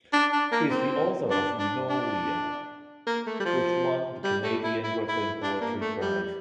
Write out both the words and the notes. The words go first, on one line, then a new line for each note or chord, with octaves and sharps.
He is the author of "Eunoia", which won the Canadian Griffin Poetry Prize.
D4
D4
A#3
C4
D4
D4
D4
A#3
A3
G3
F3
G3
A3
E4
E4
E4
D4
A#3
A3
G3